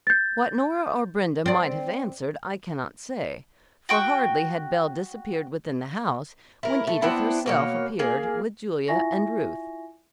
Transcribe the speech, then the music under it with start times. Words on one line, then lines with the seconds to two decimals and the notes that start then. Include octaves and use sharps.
What Nora or Brenda might have answered, I cannot say, for hardly had Belle disappeared within the house, when Edith herself appeared, with Julia and Ruth.
0.07 G6 A6
1.46 C4 D5
3.89 F#4 G5 C#6
6.63 E4 A#4
6.87 A3
7.02 B3 C4 D4 E4
7.46 B2 A#3 C#5
7.99 A#3 G#4
8.88 E4 F4 E5 G#5 C#6 A#6